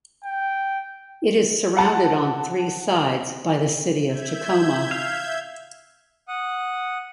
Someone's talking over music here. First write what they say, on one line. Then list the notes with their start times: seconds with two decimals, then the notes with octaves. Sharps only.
It is surrounded on three sides by the city of Tacoma.
0.24 G5
1.77 F#5 A5
4.07 E5 G6 G#6
4.91 F5
6.28 F#5 D#6